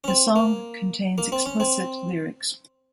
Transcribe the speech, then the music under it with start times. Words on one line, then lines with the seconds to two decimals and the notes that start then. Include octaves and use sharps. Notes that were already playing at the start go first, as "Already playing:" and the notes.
The song contains explicit lyrics.
0.04 C#4
0.08 C4
0.36 A#3
1.18 A#3
1.32 C4
1.46 C#4
1.60 C4